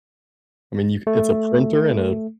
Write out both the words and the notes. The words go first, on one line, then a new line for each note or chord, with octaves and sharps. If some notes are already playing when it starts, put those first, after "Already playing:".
I mean, you c it's a printer and a
A3